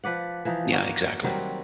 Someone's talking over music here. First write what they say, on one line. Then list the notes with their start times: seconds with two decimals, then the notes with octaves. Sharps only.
Yeah, exactly,
0.04 F3 B4 D5 F#5
0.45 E3 F3 D#4
0.72 A#3 F#4
1.23 D#3 F#3 G3 C4